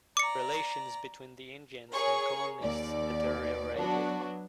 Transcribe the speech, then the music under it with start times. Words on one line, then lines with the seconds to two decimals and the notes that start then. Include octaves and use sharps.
Relations between the Indians and colonists deteriorated.
0.17 D5 A#5 D6 C#7
1.94 G#4 A#4 C#5 C#6
2.60 D#2 D5
3.77 F#3 B3 D4 F#4